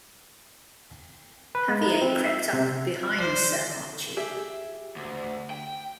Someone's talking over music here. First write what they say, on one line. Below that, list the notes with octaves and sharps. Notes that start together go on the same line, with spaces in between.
Xavier crept up behind Sir Archie.
B4
G#3
D#4
C4
E5
C3
C5 D5
G4 G#4 E5
D2
G5